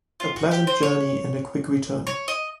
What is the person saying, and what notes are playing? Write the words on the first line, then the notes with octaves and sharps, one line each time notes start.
A pleasant journey and a quick return.
F4
F#4
G4
C5
C#5
C#5
D#5